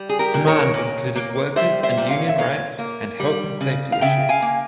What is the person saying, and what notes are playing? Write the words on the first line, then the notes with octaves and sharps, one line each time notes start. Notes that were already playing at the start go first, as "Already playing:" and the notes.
Demands included workers and union rights and health and safety issues.
Already playing: G3
G#4
G4 A#4
A#2
A#4 C#5
A#2
A#3
G3 C5 E5
C5 E5
A#2
C#5 F5
E5
A#2 C#5 F5
A#3
G3
C#3
F5
C#3 E5 G5
F5 G#5
A#3